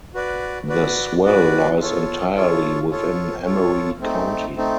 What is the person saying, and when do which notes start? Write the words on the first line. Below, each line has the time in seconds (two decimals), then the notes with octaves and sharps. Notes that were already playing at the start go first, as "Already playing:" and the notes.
The swell lies entirely within Emery County.
0.14 F#4 B4 D5
0.69 F#4 B4 D5
1.24 F#4 B4 D5
1.80 F4 A4 C#5
2.35 F4 A4 C#5
2.91 F4 A4 C#5
3.46 F4 A4 C#5
4.01 A3 C4 D#4
4.56 A3 C4 D#4